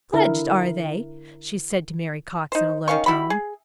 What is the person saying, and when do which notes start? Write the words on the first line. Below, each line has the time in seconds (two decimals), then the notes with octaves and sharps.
"Pledged, are they?" she said to Mary Cox, in a low tone.
0.13 D3 E4 A#4
2.52 D#4 C5
2.88 D#3 C#4 F5 C#6
3.06 G3 E4 F#4 B5
3.30 G#4